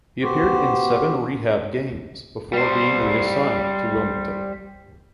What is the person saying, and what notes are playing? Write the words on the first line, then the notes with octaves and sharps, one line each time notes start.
He appeared in seven rehab games before being reassigned to Wilmington.
B3 F#4 G4 C5
G3 C5